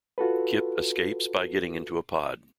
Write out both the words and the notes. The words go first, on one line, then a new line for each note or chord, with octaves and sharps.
Kyp escapes by getting into a pod.
F4 F#4 A4 B4